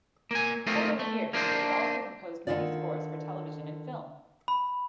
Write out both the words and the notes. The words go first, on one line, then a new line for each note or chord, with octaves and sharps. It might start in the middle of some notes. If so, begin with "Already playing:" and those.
Over the years he has also composed many scores for television and film.
A#3 G#5
A3 A#3 C4 D#4 F4
A3
A#3 D4 D#4 C5
D3 D#3 D#4 F4 D5
B5